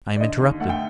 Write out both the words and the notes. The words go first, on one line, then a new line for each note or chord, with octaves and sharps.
I am interrupted.
D5
D3 D#5
D#2
A3 F#5
G5